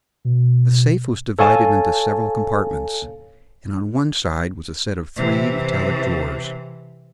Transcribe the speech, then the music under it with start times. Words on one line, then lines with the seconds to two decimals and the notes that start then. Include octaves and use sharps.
The safe was divided into several compartments, and on one side was a set of three metallic drawers.
0.25 B2
1.39 A4 C#5 F5 G#5 A5
5.16 C3 E3